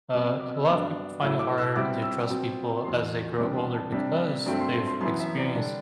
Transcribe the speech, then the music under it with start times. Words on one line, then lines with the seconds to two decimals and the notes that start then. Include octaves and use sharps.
Uh, a lot of people find it harder to trust people as they grow older, because they've experienced
0.13 C3 F#3 B3 D6
0.41 D6
0.55 E6
0.68 G2 F#3 B3 D4 D6
1.22 A2 F#3 A3 E4 E6
1.39 D6
1.58 E6
1.76 B2 G3 C4 E4 D6
2.02 E6
2.30 B2 F#3 C4
2.84 E2 B2 F#3 C6
3.38 C3 E3 G3 B3 D4 D6
3.56 C6
3.74 A5
3.92 C3 G3 D4
4.46 G2 F#3 A3 C4 G5
4.60 C6
4.73 C6
4.88 C6
5.01 F#2 E3 B3 E4 C6
5.19 E5
5.37 D5
5.55 D3 G3 D4